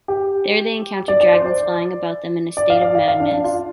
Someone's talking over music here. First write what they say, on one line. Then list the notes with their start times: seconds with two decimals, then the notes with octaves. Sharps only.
There they encounter dragons flying about them in a state of madness.
0.08 G4
1.08 D5
1.21 D5
1.33 C5
1.46 D5
2.57 D5
2.70 F5
2.82 D5
2.95 F5
3.08 F5
3.20 D4
3.33 D4
3.44 F4